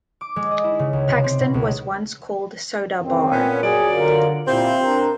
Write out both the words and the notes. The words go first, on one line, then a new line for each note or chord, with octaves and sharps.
Paxton was once called Soda Bar.
D6
G#3
D#5
E4
C#3
C#2
C3
C4
B2
C#2
C#2 F#2 C4
A#2 B3 C#4
F#2 F#3 G#4 D5
D3 F4 A#4
A#2 C4 E4 F4 G4 C5
D4 A#4